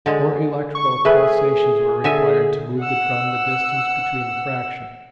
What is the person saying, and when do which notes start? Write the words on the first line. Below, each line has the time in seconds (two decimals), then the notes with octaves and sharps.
Four electrical pulsations were required to move the drum the distance between the fractions.
0.06 D3 G#3
0.75 C#6
1.05 A3 G#4 B4
2.04 D3 E5 G#5
2.80 F#5 E6